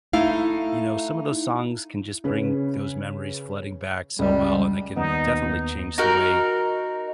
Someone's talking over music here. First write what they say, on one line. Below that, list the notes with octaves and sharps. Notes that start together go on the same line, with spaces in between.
you know, some of those songs can just bring those memories flooding back so well, and they can definitely change the way
A3 D#4 E4 F5
C#3 C#4 B4
C#2 G3
D#2 B3 D#4
D#4 F#4 A#4